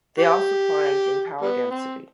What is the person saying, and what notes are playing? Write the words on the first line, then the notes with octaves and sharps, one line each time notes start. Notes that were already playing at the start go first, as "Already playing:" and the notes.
They also climbed in power density.
G4
G3 B3
C4